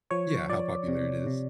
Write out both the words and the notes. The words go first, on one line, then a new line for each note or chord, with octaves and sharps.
Yeah, how popular it is.
F3 C#5
F3 D5
C3
C3